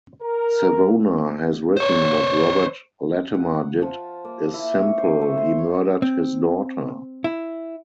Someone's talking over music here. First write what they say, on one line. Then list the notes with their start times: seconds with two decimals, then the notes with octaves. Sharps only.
Savona has written, What Robert Latimer did is simple: He murdered his daughter.
0.22 A#4
1.77 C5 C#5
3.34 F#5
3.82 F3
4.25 A#3
4.54 E4
4.80 C#5
4.98 C5
5.21 A3
5.38 C6
5.58 C#5
6.02 C4
7.24 E4